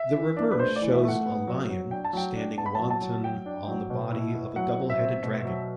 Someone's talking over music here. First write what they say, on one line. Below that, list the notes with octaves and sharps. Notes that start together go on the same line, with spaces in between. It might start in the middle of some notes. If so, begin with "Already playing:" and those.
The reverse shows a lion standing wanton on the body of a double-headed dragon.
Already playing: E5
E3
D4
B4
A3 C5
D5
E3
E5
A3 F#5
B3
F#3
F#3
D4 G5
A5
F#3 G5
D4
B3 A5
B5
F#3 A5
A5
F#3
F#3 G5
D4
F#3
B2
E4
E4
F#3 F#5
C4
E5
C4
B2
F#3